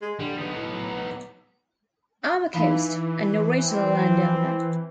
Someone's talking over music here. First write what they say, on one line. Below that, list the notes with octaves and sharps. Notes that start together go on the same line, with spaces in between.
Armacost, an original landowner.
G#3
D3 G3
B3 D#4
A2
E3 D#4 F5 B5
C4